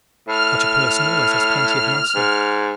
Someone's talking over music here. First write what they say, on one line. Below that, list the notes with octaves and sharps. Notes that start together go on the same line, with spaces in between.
Such a person always has plenty of muscle.
A2 F6
G#2